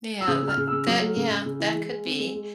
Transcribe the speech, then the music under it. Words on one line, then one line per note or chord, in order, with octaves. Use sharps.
Yeah, that that, yeah, that could be.
E6
C#3 D#6
C#3
F6
C#3
E6
C#3
F#3 D#6
A3
C#3
C#3
C#3
E3
G#3
G#3
C4
G#3
G#3